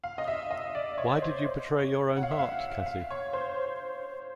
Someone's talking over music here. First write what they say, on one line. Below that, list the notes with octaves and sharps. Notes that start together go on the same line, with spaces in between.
Why did you betray your own heart, Cathy?
F5
D#5
E5
D#5
D5
C#5
C5
C#5
F#5
F5
E5
F5
F#5
F5
C#5
C5